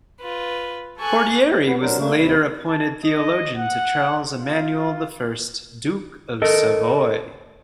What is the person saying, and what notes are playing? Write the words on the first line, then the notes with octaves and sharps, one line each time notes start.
Cordieri was later appointed theologian to Charles Emmanuel I, Duke of Savoy.
F4 B4
A4 G#5 C#6 F#6
B3 B4
F#3 D4 A#4 C5
A3 A#3 D4
D#2 C3 E4 B4
A5
D#5
F#5
F4
A4 A#4 D#5